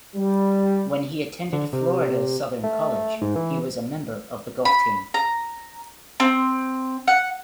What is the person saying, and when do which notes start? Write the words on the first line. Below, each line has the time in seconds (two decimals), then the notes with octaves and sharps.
When he attended Florida Southern College, he was a member of the golf team.
0.16 G3
1.53 D3
1.73 C3
2.64 A3
3.22 G#2
3.36 E3
4.65 B5
5.14 A#5
6.20 C4
7.08 F#5